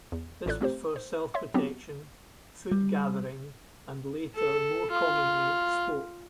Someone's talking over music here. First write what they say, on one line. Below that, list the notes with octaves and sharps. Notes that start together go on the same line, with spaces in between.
This was for self-protection, food gathering, and later more commonly, sport.
E2
A1 A2 F4 A4 D5 F#6
A3 C4 G4 C5
C5
C#5 E5 C6
F#3 B3 C4 D4 F#4 G4
G3
A4
F4